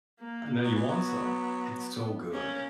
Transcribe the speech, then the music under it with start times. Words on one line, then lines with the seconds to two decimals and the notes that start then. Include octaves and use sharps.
And now you want some, it's so good,
0.20 A#3
0.62 F#3 B3
0.75 E3
0.88 F#3
2.33 A#3 C#4